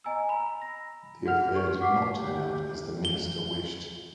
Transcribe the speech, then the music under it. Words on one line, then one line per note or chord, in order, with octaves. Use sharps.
The affair did not turn out as the minister wished.
D#5 G#5 A#5 E6
A#5 B5 F7
A#6
F#4 G#4 F#5 F6 F7
G4 B4 C#6
F#5 D6 B6 C7
G4
G7